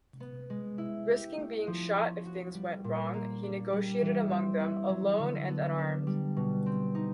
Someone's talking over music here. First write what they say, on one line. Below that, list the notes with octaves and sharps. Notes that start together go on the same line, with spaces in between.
Risking being shot if things went wrong, he negotiated among them, alone and unarmed.
B3
G#3
E4
G4
A3
F3
C#4
F#4
G3
A#2
A#3
D4
G3
E3
C4
E4
F#3
D3
B3
D4
G3
B2
C4
D#4